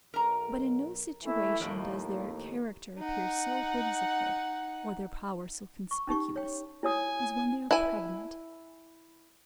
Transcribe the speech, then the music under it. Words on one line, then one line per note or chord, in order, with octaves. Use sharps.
But, in no situation does their character appear so whimsical, or their power so conspicuous, as when they are pregnant.
B1 A#4 A#5
E3 A3 E4
D#2 A2 F3
D#4 F#5
C#6
C#4 D#4 G4 C#6
C#5 G5
E4 C#5 G#5 D#6
E4 G#5